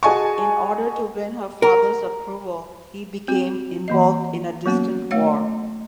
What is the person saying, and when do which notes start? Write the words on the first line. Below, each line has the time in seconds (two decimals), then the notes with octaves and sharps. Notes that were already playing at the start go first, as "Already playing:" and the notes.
In order to win her father's approval, he became involved in a distant war.
0.03 F#4 G#4 D#5 G#5 A5 C#6
1.62 A#4
3.28 C4 F#4
3.88 E3 A#3 D#5
4.66 F#3 A#3 B3 C#4 F#4
5.11 A3 C#5 F5 F#5